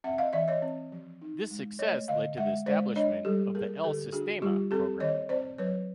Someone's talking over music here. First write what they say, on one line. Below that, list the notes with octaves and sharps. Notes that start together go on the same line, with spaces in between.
This success led to the establishment of the El Sistema programme.
C4 E5 F#5
D#5 F5
E3 D5 E5
C#5 D#5
C4
F3
D#4
G#3
A3 C#5 D#5
D3 D#5 F5
G#3 E5 F#5
G#3 C5 D5
D4 C#5 D#5
G3 G4 A4
A#3 G#4 A#4
D3 G4 A4
D4 F#4 G#4
G3 F4 G4
C4 G4 A4
D#3 C#5 D#5
C4 C5 D5
F#3 B4 C#5